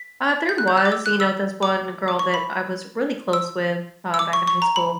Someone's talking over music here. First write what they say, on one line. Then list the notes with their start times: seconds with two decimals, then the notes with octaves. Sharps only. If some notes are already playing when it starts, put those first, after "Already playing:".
Uh, there was, you know, this one girl that I was really close with, uh, back in high school.
Already playing: B6
0.49 G6
0.58 F#6
0.68 G6
0.78 F#6
0.85 D6
0.92 E6
1.06 F#6
1.20 E6
1.63 D6
2.08 D6
2.19 C#6
2.34 B5
3.33 E6
4.14 E6
4.19 D6
4.33 C#6
4.47 C#6
4.62 A#5
4.76 B5